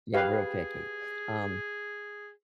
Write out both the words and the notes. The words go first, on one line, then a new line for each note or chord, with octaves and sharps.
Yeah, real picky. Um
G4 G#4 B4 F5